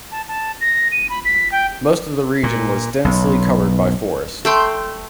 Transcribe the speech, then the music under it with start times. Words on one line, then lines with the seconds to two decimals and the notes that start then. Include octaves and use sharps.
Most of the region was densely covered by forest.
0.12 A5
0.28 A5
0.61 A#6
0.92 D#7
1.09 B5
1.25 B6
1.52 G5
2.43 A#2
3.05 B1
4.45 A3 G5 C6